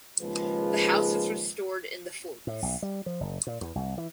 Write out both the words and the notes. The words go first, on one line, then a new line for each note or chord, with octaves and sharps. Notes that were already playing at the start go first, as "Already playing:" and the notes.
The house was restored in the forties.
D#2 C#3 F3 G#3 G#4 B4
A2
B1
G3
F3
F#1
A#2
E2
C2
E3